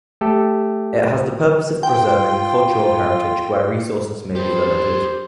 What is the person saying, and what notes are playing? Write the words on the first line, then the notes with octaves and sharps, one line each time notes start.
It has the purpose of preserving cultural heritage where resources may be limited.
A3 G4 A4
F4 G5
G4 B4 C5